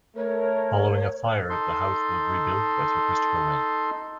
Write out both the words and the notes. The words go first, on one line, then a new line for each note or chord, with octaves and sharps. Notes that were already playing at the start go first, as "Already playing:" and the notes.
Following a fire, the house was rebuilt by Sir Christopher Wren.
A3 A#4 C#5
D#4 A4 C6